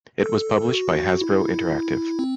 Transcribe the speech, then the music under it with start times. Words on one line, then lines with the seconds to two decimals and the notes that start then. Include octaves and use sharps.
It was published by Hasbro Interactive.
0.24 A4
0.73 F#4
1.21 E4
2.19 C4